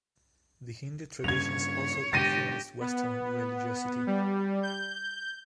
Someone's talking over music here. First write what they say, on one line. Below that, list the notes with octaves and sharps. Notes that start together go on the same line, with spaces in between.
The Hindu traditions also influenced western religiosity.
G2 C#3 C#5 G#6 F7
G#2 D3 G4 A6 A#6 D#7
B3
G3
G6